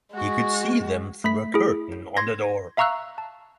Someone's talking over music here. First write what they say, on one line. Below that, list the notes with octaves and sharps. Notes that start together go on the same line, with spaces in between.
He could see them through a curtain on the door.
G#3 F#4
A3 B5 B6
E4 G#4
C6 G#6 A#6
E5 F5 A#5 C#6 E6 F#6
A5